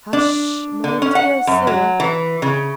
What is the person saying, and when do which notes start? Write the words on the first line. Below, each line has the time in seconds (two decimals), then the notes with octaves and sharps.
'Hush, my dear sir!
0.13 D4
0.84 D3
1.02 C#4
1.15 F#5
1.47 F#2
1.67 F#3
2.00 E3
2.42 C#3